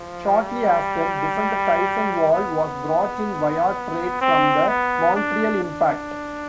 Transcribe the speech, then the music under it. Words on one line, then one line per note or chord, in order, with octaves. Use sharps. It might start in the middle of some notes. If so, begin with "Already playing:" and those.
Shortly after, defender Tyson Wahl was brought in via trade from the Montreal Impact.
Already playing: F3
G3
B3
C4
B3
D4
D4